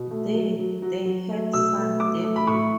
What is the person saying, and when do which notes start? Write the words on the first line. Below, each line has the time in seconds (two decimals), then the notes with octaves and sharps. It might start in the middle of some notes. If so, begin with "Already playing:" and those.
There, they had son David.
Already playing: B2
0.11 A3
0.34 F#3
0.59 F#3
0.82 F#3
1.06 F#3
1.29 A3
1.53 B2 E6
1.76 A3
2.00 F#3 D6
2.24 A3
2.36 B5
2.47 A2 C#6